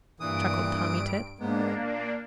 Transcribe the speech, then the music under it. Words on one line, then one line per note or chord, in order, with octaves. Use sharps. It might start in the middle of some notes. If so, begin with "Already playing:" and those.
Chuckled Tommy Tit.
G2 A#2 E3 D#6 D7
G#2 G#3 A#3 B3 D4
A#2